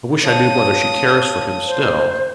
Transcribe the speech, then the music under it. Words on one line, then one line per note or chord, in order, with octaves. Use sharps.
I wish I knew whether she cares for him still.
C#5 F5 A5 D#6
C5